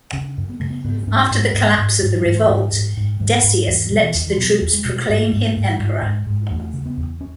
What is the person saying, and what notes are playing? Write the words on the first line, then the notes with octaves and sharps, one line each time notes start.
After the collapse of the revolt, Decius let the troops proclaim him Emperor.
C#3 C#4
F#2
B3
C#3 A3
B3
G#2 B3
B3
G#2 C#4
G#2
G#2
G#2
G#2
F#3
G#2 E3
G#2
G#2
G#2
G#2
G#2
E2
B2 F#3
E3
E2
E3
B2 F#3
E2
G#3
B2
G#2
G#2
G#2
G#2
G#2
G#2
E2 A3
C#3
B3
E2
C#4